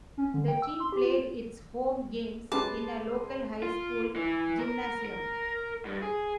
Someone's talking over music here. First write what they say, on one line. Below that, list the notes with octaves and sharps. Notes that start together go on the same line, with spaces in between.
The team played its home games in a local high school gymnasium.
C#4
D3
G5
E6
C6
G4
F4
F#3 G#3 C#4 G4 B4 A5 D6
F4
E3
A#4
A#4
G2
G#4